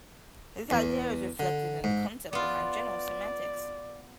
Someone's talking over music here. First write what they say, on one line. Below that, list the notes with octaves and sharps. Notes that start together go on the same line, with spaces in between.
This idea is also reflected in the concept behind general semantics.
E2
D3
G#2
B3 F4 D5